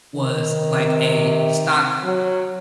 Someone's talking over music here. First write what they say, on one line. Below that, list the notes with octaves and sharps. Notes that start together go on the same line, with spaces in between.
was like a stock
D#3
C3
F#3